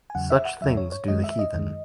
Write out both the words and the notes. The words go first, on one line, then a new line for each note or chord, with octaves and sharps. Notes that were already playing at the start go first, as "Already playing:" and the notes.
Such things do the heathen.
G#5
E2 C#3 F#3 F#5
E5
F#5
E2 C#3 F#3 E5
C#5
C#5
F#2 D#3 G#3 D#5
E5
D#5
F#2 D#3 G#3